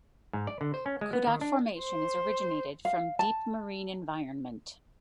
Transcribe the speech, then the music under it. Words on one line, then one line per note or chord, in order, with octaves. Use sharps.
Kudat formation is originated from deep marine environment.
G#2
D5
D3
C5
C#4
G#3
B3
D#3
D4
C5
F5
A5